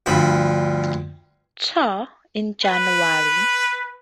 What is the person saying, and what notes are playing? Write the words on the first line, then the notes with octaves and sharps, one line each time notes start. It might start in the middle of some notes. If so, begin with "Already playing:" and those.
Tour in January.
D2 G2 F3 B5
B4